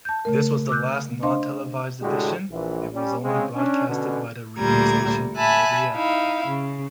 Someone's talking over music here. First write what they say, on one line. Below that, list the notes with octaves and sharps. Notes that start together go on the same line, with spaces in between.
This was the last non-televised edition, it was only broadcasted by the radio station Minería.
A5 G6
C#3 A3 A#4
D6 E6 F#6 G6
D4 C5 D#5 F5 C6
A2 D3 G#3 A3 F#4 G4
A#1 E3
G3 C#4
C#3 G#3 C4
C#4 D4
B2 D3 C#4
D2 A#2 G3 A#5 G#6
E5 G#5 A5 B5 F#6
D#4 E4 F5
C#3